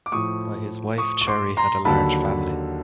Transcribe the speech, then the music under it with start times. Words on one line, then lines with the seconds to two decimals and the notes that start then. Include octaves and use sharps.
By his wife Cherry had a large family.
0.06 D6
0.12 A2 F3 C#6 D#6
0.98 C#6 D#6
1.22 C#6
1.27 C6 D6
1.57 A#5 C6
1.85 D#2 D3 F#3 A5 B5